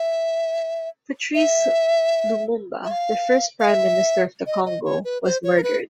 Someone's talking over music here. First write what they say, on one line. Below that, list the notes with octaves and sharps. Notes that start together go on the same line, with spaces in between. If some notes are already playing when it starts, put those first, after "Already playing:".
Patrice Lumumba, the first Prime Minister of the Congo, was murdered.
Already playing: E5
E5
E5
F5
F5
E5
D#5
D#5
C#5
B4
C5
C#5
A#4
B4